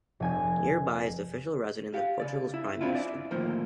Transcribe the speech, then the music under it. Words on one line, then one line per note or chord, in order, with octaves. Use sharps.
Nearby is the official residence of Portugal's Prime Minister.
F1 G#5 G#6
G4 F5
C#3 D5
E4
C4 D4 E4 F4
E4 D5
D2 A2 D#3 F3 A#3 C5